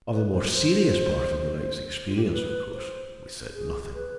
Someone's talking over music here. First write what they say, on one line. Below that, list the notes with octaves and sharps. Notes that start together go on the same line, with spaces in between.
Of the more serious part of the night's experience, of course, we said nothing.
B4
C5
C5
F4
G4
G#4
B4
C5
G#4
G#4
B4